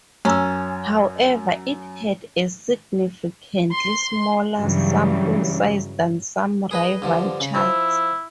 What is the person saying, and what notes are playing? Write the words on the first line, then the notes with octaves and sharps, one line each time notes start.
However, it had a significantly smaller sample size than some rival charts.
F#2 C#4 A#5 E6
C6
G2 C#3 E3 F#3 G3
G#4 B4 D#5
G2 D3 F3
C#3
F3 E4